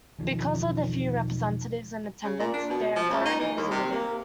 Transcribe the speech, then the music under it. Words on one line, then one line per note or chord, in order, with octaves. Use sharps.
Because of the few representatives in attendance, their authority was limited.
E1 B1 D#3 F3
C#3
A#2
D4
B2
F3
C#2
D#4
E3
D#2
C3
A#3